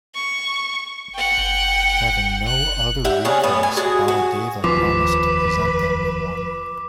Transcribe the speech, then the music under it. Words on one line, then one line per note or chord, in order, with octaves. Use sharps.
Having no other recourse, Baladeva promised to present them with one.
C#6
F#5 G5
F#6
G4 E5 F#5
C#3 C#4 D4
A2 B3
G#5
G#3 F#4 G#4 A5
F#4
F1 D#2 F3 B4 D6